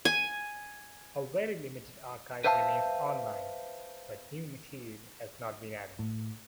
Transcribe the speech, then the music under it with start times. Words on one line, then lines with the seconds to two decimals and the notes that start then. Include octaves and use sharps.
A very limited archive remains online, but new material has not been added.
0.05 G#5
2.44 B4 C5 E5 F5 G#5 A5
5.99 A2